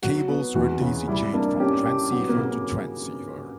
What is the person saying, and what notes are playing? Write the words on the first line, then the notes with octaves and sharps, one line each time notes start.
Cables were daisy-chained from transceiver to transceiver.
F#3 F#4
B3
E2 F#4
C#3
G3 E4
A#3 D4
C#4 G4
G4
F#3 B3
A#3
C#3